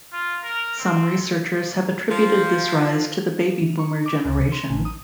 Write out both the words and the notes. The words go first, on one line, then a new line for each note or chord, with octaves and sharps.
Some researchers have attributed this rise to the baby boomer generation.
F4
A#4
C4
F3
E3
C#6
D6
C#2
C3
C6
A1
D#6